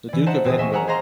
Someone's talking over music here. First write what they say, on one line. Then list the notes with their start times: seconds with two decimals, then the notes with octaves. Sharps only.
The Duke of Edinburgh.
0.09 E3 D5
0.26 C5 D#5 E5 F#5 A5 A#5
0.44 D#1 C4 G#4 D#6
0.57 C5 D#5 E5 G#5 C#6
0.72 A#4 E5 F#5 G#5 A#5
0.88 G#4 C5 D#5 F5 A#5 C6